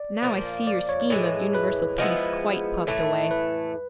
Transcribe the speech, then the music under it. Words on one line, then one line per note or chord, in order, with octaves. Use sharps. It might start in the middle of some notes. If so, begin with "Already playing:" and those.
Now I see your scheme of universal peace quite puffed away!'
Already playing: D5
A#2 F3 A#3
D5
C#5
A2 E3 G#3
B4
F3 G#3 B3 E4
A2 E3 A3
B4